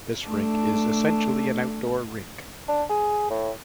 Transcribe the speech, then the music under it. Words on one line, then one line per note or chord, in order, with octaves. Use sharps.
This rink is essentially an outdoor rink.
A3 D4
D4
G#4
A2